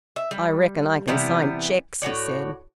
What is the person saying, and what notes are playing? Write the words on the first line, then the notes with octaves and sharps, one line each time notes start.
"I reckon I can sign cheques," he said.
E5
G3
C3 E3 G3 B3
A2 F#4 C#5 D5